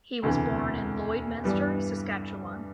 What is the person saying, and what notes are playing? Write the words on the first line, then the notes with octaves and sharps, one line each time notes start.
He was born in Lloydminster, Saskatchewan.
E1 D2 C3 E3
G2 E3 G3 B3